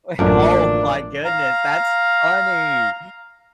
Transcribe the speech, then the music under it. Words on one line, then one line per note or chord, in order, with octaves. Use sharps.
Oh my goodness, that's funny.
A1 F#2 F3 A3 A#3 D4
F5 A#5